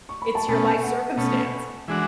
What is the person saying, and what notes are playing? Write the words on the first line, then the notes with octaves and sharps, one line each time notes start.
it's your life circumstance.
C#6
B5
A5
B2 A3 C#4 G#5
F#5
B2 A3 C#4
E3 G#3 D4 F#4